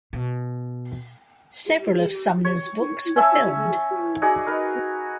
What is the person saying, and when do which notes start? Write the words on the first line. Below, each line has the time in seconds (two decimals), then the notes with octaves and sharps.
Several of Sumner's books were filmed.
0.13 B2
2.45 C#5
3.16 C#4 E5 A5 E6
4.22 D#4 F#4 G#4 D5
4.46 D#4 A#4 B4